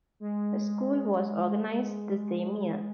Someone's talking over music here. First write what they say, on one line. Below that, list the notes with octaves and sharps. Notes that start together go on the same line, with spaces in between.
A school was organized the same year.
G#3
A3
G#3